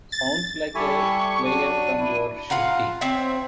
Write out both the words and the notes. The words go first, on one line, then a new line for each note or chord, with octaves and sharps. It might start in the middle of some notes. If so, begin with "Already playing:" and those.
Sounds like a player from your shit team.
A6
G3 E4 G4 A4 E5 G#5 C#6
F#3 D4 D#7
E4
F4 F5 F#5 A#5
C4 C5 C#5 E5